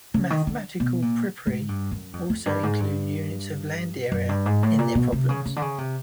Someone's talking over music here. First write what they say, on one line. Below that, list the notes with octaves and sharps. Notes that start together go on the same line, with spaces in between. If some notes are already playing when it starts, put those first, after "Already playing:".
Mathematical papyri also include units of land area in their problems.
C#3
D#3
D3
B2
A#2
G#2
G2
F#2
F2
F2
G2
G#2
G2
F#2
G2
G#2
A2
A#2
B2
C3
C#3
C#3
D3
C#3
C3